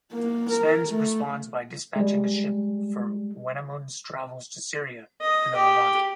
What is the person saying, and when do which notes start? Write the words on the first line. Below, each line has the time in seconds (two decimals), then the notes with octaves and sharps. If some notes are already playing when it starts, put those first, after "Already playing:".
Smendes responds by dispatching a ship for Wenamun's travels to Syria and the Levant.
0.12 A#3
0.50 A#4
0.89 A3
1.96 G3 G#3
5.21 D#5
5.55 G4